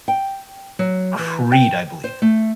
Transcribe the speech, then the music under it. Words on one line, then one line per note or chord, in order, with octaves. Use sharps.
Creed, I believe.
G5
F#3
E3
G5
C5
A3